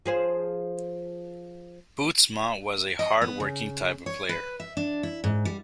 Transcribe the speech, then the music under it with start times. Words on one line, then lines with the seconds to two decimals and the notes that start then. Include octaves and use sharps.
Bootsma was a hard working type of player.
0.06 F3 G#4 C5
2.99 D#5
3.22 B3
3.40 C#3
4.06 C#5
4.29 B4
4.60 E5
4.77 D4
5.03 E4
5.24 G#2
5.45 G3